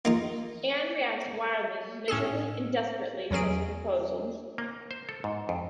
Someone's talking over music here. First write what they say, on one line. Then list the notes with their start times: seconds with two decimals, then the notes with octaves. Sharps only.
Anne reacts "wildly", "miserably" and "desperately" to his proposal.
0.05 A#3 D#4 F4
2.08 A2 C#4 G#4 A4
3.31 E2 F#3 C#4 G#4 D7
4.58 A#3
4.91 C5
5.09 A4
5.24 G#2
5.49 F2